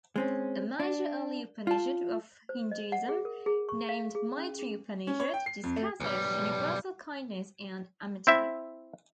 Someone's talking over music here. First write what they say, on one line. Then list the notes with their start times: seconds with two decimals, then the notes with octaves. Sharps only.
A major early Upanishad of Hinduism, named Maitri Upanishad, discusses universal kindness and amity.
0.16 G#3 C4 C#4
0.80 D4
1.67 F4 A5
2.49 C5
2.71 D#5
2.92 F#5
3.09 G#4
3.25 A#4
3.46 G#4
3.69 C#6
3.89 F5
4.15 G#4
4.38 C#4
4.59 G#4
5.07 C#4
5.20 C#5
5.34 G5
5.46 C7
5.63 F2
5.76 A3
6.00 B1 G3
8.27 C4 E4 E5